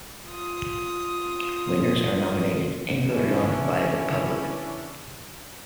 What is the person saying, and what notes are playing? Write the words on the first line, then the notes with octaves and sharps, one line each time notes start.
Winners are nominated and voted on by the public.
F4 D#6
C#3 E3 C#4 D4 E4